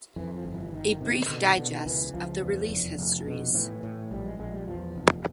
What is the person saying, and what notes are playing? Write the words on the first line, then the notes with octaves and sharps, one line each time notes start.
A brief digest of the release histories.
F2 E3
F3
G1 D#3
E3
G1 D#3
C3 D#3
B2 D3
D#3
B2 D3
D#3
C#2 E3
C#2 F3
E2
F1
F1
B2
A2 E3
A2
A#1 G3
G#3
A#1 G#3
G3
E2 F3
F1